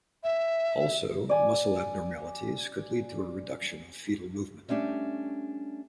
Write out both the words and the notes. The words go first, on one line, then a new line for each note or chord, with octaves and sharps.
Also muscle abnormalities could lead to a reduction of fetal movement.
E5
D5 G#5
G3 A3 C#4 D4 G4